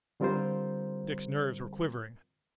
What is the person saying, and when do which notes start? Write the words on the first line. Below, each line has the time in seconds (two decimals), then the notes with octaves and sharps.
Dick's nerves were quivering.
0.20 D3 G3 C4 F4 A#4 C5